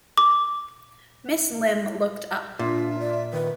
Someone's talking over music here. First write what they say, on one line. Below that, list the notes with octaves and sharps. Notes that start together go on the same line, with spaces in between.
Miss Limb looked up.
D6
A#2 D4 F4 E5
D5
D#3 B4